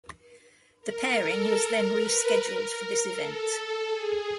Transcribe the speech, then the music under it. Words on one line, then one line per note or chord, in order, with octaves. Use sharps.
The pairing was then rescheduled for this event.
A#4
A4
A#4
B4
A#4
A4
G#4